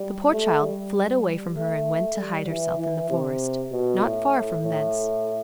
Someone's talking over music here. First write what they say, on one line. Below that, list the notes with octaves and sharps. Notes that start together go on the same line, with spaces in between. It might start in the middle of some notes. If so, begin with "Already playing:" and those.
The poor child fled away from her and went to hide herself in the forest, not far from thence.
Already playing: G3
A3
G3
A3
G3
E3
E3
C3
B2
A2
A2